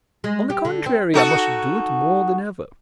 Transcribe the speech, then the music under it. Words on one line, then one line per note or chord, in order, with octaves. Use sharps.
On the contrary, I must do it more than ever.
G#3
G4
D3
C4
D#4 F#4 A4